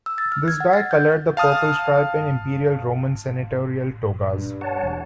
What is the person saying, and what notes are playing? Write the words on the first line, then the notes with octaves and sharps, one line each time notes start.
This dye colored the purple stripe in Imperial Roman Senatorial togas.
E6
A6
F6
G#6
F#5
A6
G6
F5 A5 D#6 F6
G2
C#5 F#5 A5
E1